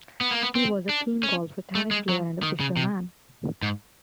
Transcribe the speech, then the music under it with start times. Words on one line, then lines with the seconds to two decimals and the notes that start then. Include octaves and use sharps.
He was a keen golfer, tennis player and fisherman.
0.21 B3
0.31 A#3
0.42 B3
0.55 C4
0.89 D4
1.23 C#4
1.75 A3
1.91 G#3
2.09 F#3
2.43 D#3
2.60 C#3
2.77 C3
3.62 G#2